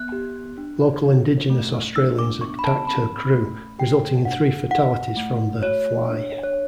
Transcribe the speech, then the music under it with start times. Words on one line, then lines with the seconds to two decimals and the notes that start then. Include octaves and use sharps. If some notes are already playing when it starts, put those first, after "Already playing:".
Local indigenous Australians attacked her crew; resulting in three fatalities from the "Fly".
Already playing: B3 F#6
0.12 G4
0.58 D4
1.04 C#4
1.50 A3
1.96 D4 E6
2.19 D6
2.41 B3 C#6
2.59 B5
2.64 A5
2.87 C#4 B5
3.33 A3
3.79 G4 G5
4.25 D4 F#5
4.71 E4 F#5
5.17 A3
5.62 F#4 C#5
6.09 D4
6.43 C#5